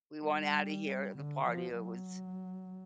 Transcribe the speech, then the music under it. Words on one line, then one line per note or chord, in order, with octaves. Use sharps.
we want outta here, the party, yeah, was
G3
D3
F3
F#3